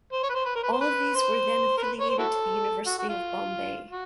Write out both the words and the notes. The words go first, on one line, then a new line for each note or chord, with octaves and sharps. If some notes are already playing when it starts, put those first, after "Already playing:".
All of these were then affiliated to the University of Bombay.
C5
C#5
B4
C5
B4
A#4
B4
C5
B4
C5
A#4
B4
C#5
C5
E4 F#4 A4
F#4
F#4
F4
F#4